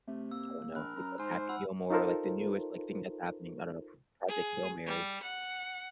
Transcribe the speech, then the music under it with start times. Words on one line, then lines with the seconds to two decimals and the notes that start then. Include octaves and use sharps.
I don't know, movie like Happy Gilmore, like, the newest, like, thing that's happening I don't know, Project Hail Mary,
0.07 C3 A3
0.31 A#3 E6
0.75 A#1 A#4 B5 F#6
0.96 F#2 A#5
1.18 G#2 C5 G#5 F6
1.49 F#5 B5 E6
1.90 D#4 F4 A4 A#4 C5
4.28 G#4
4.87 G3
5.23 F#5